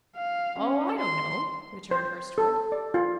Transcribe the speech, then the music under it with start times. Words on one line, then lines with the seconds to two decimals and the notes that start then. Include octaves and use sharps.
"Oh, I don't know," returned Hurstwood.
0.16 F5
0.59 C#4
0.99 C6
1.91 C5
2.38 A4
2.72 D5
2.94 F4